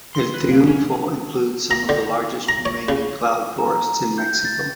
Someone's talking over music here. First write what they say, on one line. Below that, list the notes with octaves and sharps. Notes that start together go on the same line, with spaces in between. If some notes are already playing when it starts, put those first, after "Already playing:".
El Triunfo includes some of the largest remaining cloud forests in Mexico.
C6
B4
A#3
C#4
A#5
D3
A#5
C#5
C#3
A#5
G6
A6